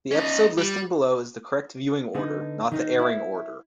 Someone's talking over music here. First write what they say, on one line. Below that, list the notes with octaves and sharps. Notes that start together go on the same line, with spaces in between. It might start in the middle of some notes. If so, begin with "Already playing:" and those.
The episode listing below is the correct viewing order, not the airing order.
C#4 D#4
G3
D3 B3 D#4
D#3 D#4
E4